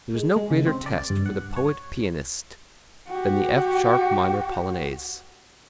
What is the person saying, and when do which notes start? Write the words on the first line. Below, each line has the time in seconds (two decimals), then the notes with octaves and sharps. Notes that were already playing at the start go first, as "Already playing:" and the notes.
There is no greater test for the poet-pianist than the F sharp minor Polonaise.
0.15 G#3
0.36 G#3
0.51 C#3
0.66 C4
0.86 D5
1.10 G2
1.26 F#5
1.56 C#5
3.07 F#4 G4